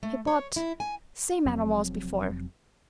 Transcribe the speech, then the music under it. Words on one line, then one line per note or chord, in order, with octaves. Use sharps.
Hippot--same animal as before.
A3
C#5
E4
G#5
F1 F2 F#3 C4